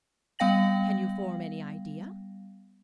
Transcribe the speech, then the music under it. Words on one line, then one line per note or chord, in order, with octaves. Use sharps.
Can you form any idea?
G3 B3 F5 G5 A#6 F#7